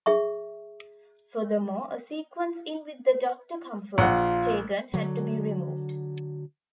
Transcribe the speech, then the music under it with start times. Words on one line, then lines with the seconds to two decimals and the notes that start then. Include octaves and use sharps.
Furthermore, a sequence in which the Doctor comforts Tegan had to be removed.
0.06 G#4 E5 C#6
3.98 A#1 F4 F#5
4.94 D3 F#3